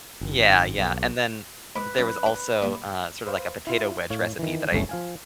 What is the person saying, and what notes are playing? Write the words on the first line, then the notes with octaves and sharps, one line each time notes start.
Yeah, yeah, and then there was also, uh, sort of like a potato wedge recipe that I
F#1
G#1
B1
G#2 B4 B5 D6
F#2 D4
D4
G2 A#2
B4 C5 F5
E4 F4
A2 C#5 F5
D#3 E3
G1 C#2 G2 E3 A3 C#4
F3 F5 G#5